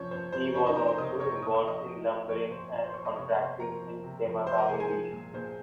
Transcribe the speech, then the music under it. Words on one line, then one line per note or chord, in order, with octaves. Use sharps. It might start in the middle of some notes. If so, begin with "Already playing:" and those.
He was also involved in lumbering and contracting in the Temagami region.
Already playing: C3 F3 C#4 C5 C#5
F3 C5
F3 C5
C3 C#4 C#5
D#4 D#5
F3 A#4 A#5
C5 C6
C3 D#5 D#6
C3 C#5 C#6
A#2 D#6
C#6
F3 D#5 D#6
F3
F3
F3 C#5 C#6
A#2 C5 C6
A#2
C5 C6
F3 C#5 C#6
D#5 D#6
C3 C#5 C#6
C3 C5 C6
F3 A#4 A#5
F3
C3
F3
F3 C5 C6
A#4 A#5
C3 G#4 G#5
G#4 G#5
F3
A#2
A#2 C5